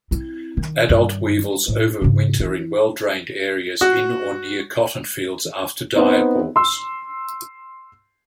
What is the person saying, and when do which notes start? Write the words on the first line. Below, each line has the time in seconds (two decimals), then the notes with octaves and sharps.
Adult weevils overwinter in well-drained areas in or near cotton fields after diapause.
0.11 C4 E4
0.57 D#3
0.90 G2 D#3
1.68 A2
2.02 G#2 C#3
2.40 E3 E4
3.81 F#4
5.96 B3 C4 D#4
6.56 C6 E6